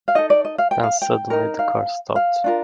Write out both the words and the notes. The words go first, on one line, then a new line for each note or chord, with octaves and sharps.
Then suddenly the car stopped.
F5
D#4 A4 D#5
D5
D#5
F5
G5
F5
G5
D#4 A#4
F5
F5
D4 F4 A#4